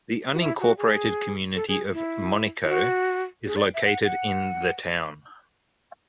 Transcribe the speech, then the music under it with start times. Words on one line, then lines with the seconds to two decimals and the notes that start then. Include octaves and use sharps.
The unincorporated community of Monico is located in the town.
0.34 F#4
0.40 E4
0.60 F#4
0.78 G#4
1.56 A4
1.68 G#4
1.93 E4
2.65 E4
2.69 F#4
3.47 G#4
3.56 D5
3.74 E5
3.85 F#5
4.04 F#5